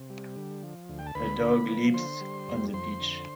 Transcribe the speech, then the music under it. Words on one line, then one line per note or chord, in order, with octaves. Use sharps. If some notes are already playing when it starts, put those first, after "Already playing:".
A dog leaps on the beach.
Already playing: C3
G3
D3
F3
D2
G5
A5
D2 B4 B5
D3
F3
D3 C5 C6
G3
F2
F2 C5 C6
D3